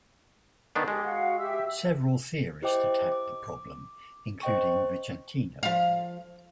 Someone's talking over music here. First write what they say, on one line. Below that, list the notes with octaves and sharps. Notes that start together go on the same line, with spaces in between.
Several theorists attacked the problem, including Vicentino.
D#3 B3 D4 D#4
G#3 G4 A4
F#4 F5 F#5
G4 E5 E6
E4 G4 C5 D#5 G5 D6
D6
C5 D#5 G5 C#6
F3 F5